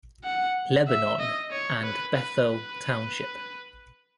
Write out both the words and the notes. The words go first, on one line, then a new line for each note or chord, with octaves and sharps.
Lebanon, and Bethel Township.
F#5
E5
D#5
C#5
B4
B4
B4